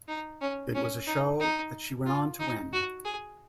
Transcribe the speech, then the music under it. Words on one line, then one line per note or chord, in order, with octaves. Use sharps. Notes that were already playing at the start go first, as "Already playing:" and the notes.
It was a show that she went on to win.
D#4
C#4
C#4
D#4
D#4
F4
D#4
F#4
G#4